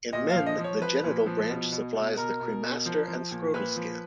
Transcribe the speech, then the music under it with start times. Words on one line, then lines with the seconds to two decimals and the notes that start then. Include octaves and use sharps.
In men, the genital branch supplies the cremaster and scrotal skin.
0.13 A#2 D#5
0.30 F5
0.36 F3
0.46 D#5
0.58 F3
0.64 C#5
0.82 F3 B4
1.04 A#2
1.26 F3
1.49 B2
1.72 B2
1.95 B2
2.17 B2 A#4
2.40 B2
2.63 B2
2.86 F3
3.08 F3
3.31 A#2
3.54 A#2 B4
3.76 F3